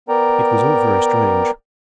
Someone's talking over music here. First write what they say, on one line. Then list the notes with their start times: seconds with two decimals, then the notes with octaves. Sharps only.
It was all very strange.
0.09 B3 A#4 D5 G5 A#5